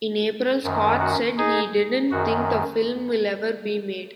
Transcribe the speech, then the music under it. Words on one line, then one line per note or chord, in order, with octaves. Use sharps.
In April, Scott said he didn't think the film will ever be made.
F#2 D#3
F#4
D#4 G#4
F#2 D#3 F#4